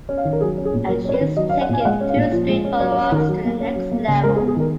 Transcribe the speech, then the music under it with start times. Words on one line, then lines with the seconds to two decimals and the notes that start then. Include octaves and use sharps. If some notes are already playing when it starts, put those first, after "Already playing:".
And she's taken two straight follow-ups to the next level.
0.09 C#4
0.18 F5
0.25 D#3
0.33 A#4
0.41 F#3 G#4
0.58 C#4
0.65 G#4
0.73 A#2
0.89 F#3 A#4
1.05 C#4 C#5
1.14 B4
1.21 D#3
1.37 F#3 D#5
1.49 F5
1.53 C#4
1.61 F#5
1.69 A#2 G#5
1.80 F5
1.85 G#3 F#5
2.01 C#4
2.09 F5
2.16 A#2
2.32 F3
2.49 G#3
2.65 C#4
2.80 F#3 C#5
2.92 C#5
2.97 C#4
3.12 D#3 A#4
3.29 F#3
3.44 A#3
3.60 C#4
3.76 F#3
3.91 A#3
4.08 C#3
4.23 G#3 A#4
4.36 G#4
4.39 B3
4.48 G#4
4.56 D#3 A#4